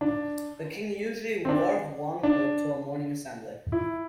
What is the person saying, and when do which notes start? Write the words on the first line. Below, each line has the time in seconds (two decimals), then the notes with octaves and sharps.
The king usually wore Hwangpo to a morning assembly.
0.01 D4
1.45 C4
1.49 D4
2.23 D4
3.72 E4